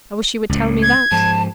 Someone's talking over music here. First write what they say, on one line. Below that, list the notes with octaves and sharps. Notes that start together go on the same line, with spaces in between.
"I wish you would tell me that."
C#2 A2
G#6
G#2 F3 A5